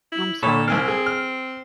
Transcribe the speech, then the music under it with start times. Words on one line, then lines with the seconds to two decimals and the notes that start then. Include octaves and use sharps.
I'm sorry.
0.12 E4
0.43 A#2 A4 C#5 B5
0.68 C2 C4 G#5 F6
0.88 G#4
1.06 F6